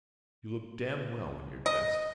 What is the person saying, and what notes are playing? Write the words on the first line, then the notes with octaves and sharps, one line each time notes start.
You look damn well when you're dressed.
D#5